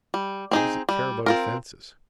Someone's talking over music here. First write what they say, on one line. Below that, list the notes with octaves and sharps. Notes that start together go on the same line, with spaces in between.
What does it care about offences?
G3
C4 D#4 G#4
G3
C4 F4 A#4